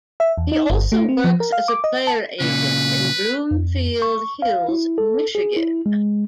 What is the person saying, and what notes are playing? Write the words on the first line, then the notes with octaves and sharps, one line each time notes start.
He also works as a player agent in Bloomfield Hills, Michigan.
E5
E2
D#4
G1
A3
C4
F3
A#4
F5
D6
D#5
A5
A#2 C#3 B4
F2
C#6
F5
E4
A4
G#4
E4
G#3